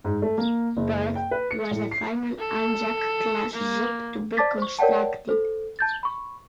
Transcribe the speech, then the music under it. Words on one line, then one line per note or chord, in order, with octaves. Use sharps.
"Perth" was the final "Anzac"-class ship to be constructed.
G#2
A3
A#3
F#1
G5
B4
C#7
A2
C7
A4
A#3
C5 D5 A5 D6 A6 B6
C5 C#6
A#4 C#5 D5 F#5 G5 A5
A4 C5
A5 G6 A6
B5 C#6